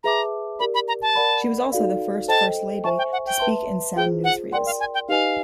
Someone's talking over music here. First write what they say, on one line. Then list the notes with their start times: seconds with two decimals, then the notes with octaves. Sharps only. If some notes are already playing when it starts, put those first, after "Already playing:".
She was also the first First Lady to speak in sound newsreels.
0.04 G#4 B4 E5 A5 A#5 D6
0.59 G4 A#4 D5 B5
0.74 B5
0.88 A#5
1.02 A5
1.15 A#4 D5 F#5 B5
1.72 D#4 F#4 A4 D5 F5
2.28 A4 C5 D#5 G5 A5
2.84 C5 E5 G#5 A5 C#6
2.98 G5
3.12 F#5
3.26 G5
3.39 B4 E5 A5 C6
3.96 F4 G#4 C5 G5
4.24 F#5
4.52 A#4 D5 F#5 G5 C6
4.66 F5
4.80 G#5
4.94 G5
5.08 D#4 G4 B4 D#5 F5 G#5